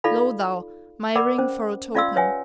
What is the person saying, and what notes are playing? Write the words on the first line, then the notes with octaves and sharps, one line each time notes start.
Lo thou, my ring for a token!
D#4 F4 A4 D5 F5 B5
A#4 D5 F#5 B5 D6
C#4 C5
C#4 F4 D5 F5 C6 E6
G4 B4 C#5 E5 F#5 G#5